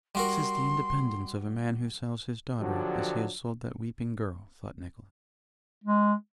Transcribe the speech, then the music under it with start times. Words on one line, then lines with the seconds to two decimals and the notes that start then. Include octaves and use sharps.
'And this is the independence of a man who sells his daughter as he has sold that weeping girl!' thought Nicholas.
0.15 G3 F#4 A#4 C6
2.60 D3 F3 F#3 D4 F#4 G4
5.84 G#3